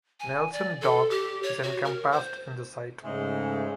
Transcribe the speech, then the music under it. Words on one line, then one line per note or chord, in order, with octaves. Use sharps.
Nelson Dock is encompassed in the site.
G#5
D5
A4
G4
C#5
F#4
A#4
C5
G#2 C#3 G#3 A3